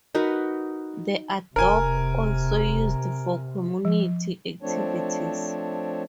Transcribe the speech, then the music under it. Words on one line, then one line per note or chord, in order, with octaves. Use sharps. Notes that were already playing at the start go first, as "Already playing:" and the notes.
The adobe also used for community activities.
D#4 F#4 A#4 B4
E1 C3 A#4 G#5
F3
F3 A3 C4 D4 C#5